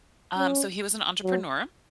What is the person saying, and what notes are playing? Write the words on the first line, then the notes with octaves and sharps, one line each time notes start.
Um, so he was an entrepreneur
C#4
F#3